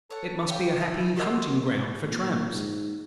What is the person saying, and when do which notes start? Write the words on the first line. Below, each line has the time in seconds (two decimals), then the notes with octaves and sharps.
"It must be a happy hunting ground for tramps?"
0.10 A4 C#5 F#5
0.48 G4 C#5 F5 G5
0.78 B3 D#4 E4
1.16 C4 F#4 G4 A#4 D#5 C6 D6
2.07 A#2
2.52 G#2